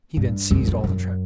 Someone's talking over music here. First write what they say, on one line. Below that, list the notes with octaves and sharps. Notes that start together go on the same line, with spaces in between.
He then seized all the trout.
G2
F#2
F#2
F#2